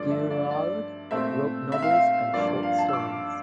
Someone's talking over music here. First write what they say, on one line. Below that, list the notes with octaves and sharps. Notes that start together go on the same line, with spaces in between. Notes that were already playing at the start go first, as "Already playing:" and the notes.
Girouard wrote novels and short stories.
Already playing: G2 F3 A3 D5
E5
D5
D5
A#2 A3 C4 E5
E5
F5
E5
G2 F3 A#3 D5
D5
F5
A5
E6
D6